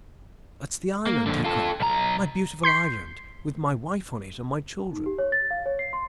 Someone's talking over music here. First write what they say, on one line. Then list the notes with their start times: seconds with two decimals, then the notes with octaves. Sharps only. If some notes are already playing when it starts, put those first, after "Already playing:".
"That's the island," he cried, "my beautiful island, with my wife on it and my children."
1.07 A#3
1.26 F2 D3
1.45 F4 A4
1.80 B1 A#5
2.63 C6 G6 B6 C7
4.93 D#4
5.06 G4
5.18 C#5
5.32 A6
5.51 F5
5.66 C#5
5.79 C7
5.93 C6